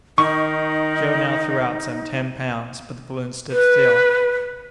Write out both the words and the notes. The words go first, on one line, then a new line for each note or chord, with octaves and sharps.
Joe now threw out some ten pounds, but the balloon stood still.
D#3 D#4 C#6
B4